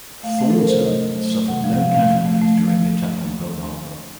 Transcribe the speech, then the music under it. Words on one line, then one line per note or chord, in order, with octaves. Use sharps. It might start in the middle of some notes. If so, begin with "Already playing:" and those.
"Thornton" suffered no casualties during the attack on Pearl Harbor.
A3 F5
A3
A4
F#3 A#4
C3 C5
C#5
A3 D#5
F#3
A3
A3
C3 F#5
F3 F5
C3 F5
A3 F5
F3 F5
A3
A3
F3